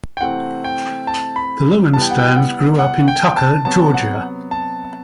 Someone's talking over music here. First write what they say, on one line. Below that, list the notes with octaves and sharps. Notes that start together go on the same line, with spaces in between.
The Lowensteins grew up in Tucker, Georgia.
G5
C3 E3 A3 C4 F#5
G5
A5
B5
E3 G3 B3 A5
G5
F#5
G5
F#5
F#5
G5
A5
C3 F#3 B3 A5
F#5
A5